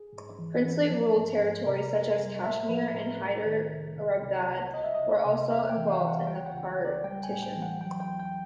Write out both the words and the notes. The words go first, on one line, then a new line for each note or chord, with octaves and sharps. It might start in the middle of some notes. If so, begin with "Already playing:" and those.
Princely-ruled territories, such as Kashmir and Hyderabad, were also involved in the Partition.
Already playing: G#4
G#2
E3
E3
F3
G#2
G#2
C3 A#4
F2
G3
A2 E5
F3 B4
A2 A#4
C2
D#3
C2
C2
C2
C2
C#2 D#5
E5
C#2 D#5
C3
E2 E5
G5
E3
F5
E3
F#5
C#2 G5
F#5
C#2
F#5
C#2
D5
G3 G5
G#5
A2
G5
E3
F#5
F#3 G5
G5
E2
G5